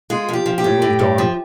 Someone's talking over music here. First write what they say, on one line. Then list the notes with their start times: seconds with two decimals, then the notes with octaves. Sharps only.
I moved on.
0.10 G#3 F4
0.29 F3 G4
0.46 F3
0.58 G4
0.64 A2
0.82 A2
0.99 A2
1.18 F3